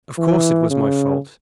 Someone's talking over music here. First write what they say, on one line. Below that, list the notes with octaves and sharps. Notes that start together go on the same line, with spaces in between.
Of course it was my fault.
E3
C#3